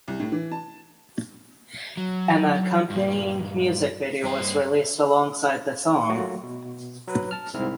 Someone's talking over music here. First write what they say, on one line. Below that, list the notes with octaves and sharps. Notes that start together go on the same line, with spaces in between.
An accompanying music video was released alongside the song.
C2
A2
E3
A5
F#3
G2 A#2
G2 C5
F#3 A3 A#3 F4 F#4
B2
F#3 B4
A5 F6
C2 G#2 C4 E4 F6